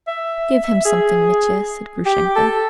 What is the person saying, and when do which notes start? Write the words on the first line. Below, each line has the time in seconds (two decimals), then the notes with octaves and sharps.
"Give him something, Mitya," said Grushenka.
0.07 E5
0.64 E5
0.85 G#4
2.06 G4
2.36 A4